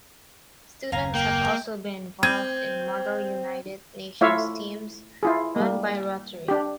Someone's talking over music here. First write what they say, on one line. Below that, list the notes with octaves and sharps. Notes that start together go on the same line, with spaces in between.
Students have also been involved in Model United Nations Teams run by Rotary.
F#1 D#2 F5 G#5 A#5
A#3 G5
C4 G6 G#6 D#7
A3 E4 F4 C#5 E5 F5
E4 F4 G#4
G3 A#3
D4 G4